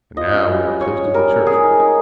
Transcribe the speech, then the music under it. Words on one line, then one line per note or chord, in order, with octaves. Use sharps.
And now we are close to the church.
F4 D#5
C#4
G3
G3
F4 C#5
C#4
G3 A#4
G3
G#3 G#4
D#4
D#4